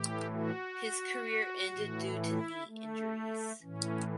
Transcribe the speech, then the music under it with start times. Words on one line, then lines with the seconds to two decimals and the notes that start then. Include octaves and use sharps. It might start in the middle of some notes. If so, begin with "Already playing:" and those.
His career ended due to knee injuries.
Already playing: A2 E3 G4
0.32 F#4
1.73 A2 E3
2.21 E4
2.67 A3
3.62 A2 E3 C#4